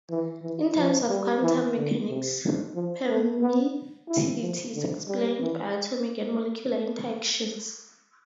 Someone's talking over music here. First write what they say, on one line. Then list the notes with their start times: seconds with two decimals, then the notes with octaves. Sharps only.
In terms of quantum mechanics, permittivity is explained by atomic and molecular interactions.
0.10 E3
0.42 E3
0.77 F3
1.09 G3
1.42 E3
1.76 D3
2.09 C3
2.75 F3
3.08 A3
3.41 B3
4.08 E4
4.41 F3
4.74 D3
5.08 G3
5.41 E3